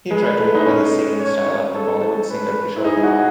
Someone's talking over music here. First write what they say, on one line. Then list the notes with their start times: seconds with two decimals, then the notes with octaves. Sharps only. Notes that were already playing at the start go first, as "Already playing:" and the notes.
He tried to model his singing style after Bollywood singer Kishore Kumar.
0.11 G#3 B4
0.39 A3
0.54 D#4
0.66 C#4
1.20 C#5
1.75 A4
2.30 B4
2.76 E4
2.84 D#4 G#4
3.03 F#4